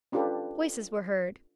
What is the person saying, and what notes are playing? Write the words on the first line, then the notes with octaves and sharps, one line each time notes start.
Voices were heard.
C#4 D4 F4 G4 A4 B4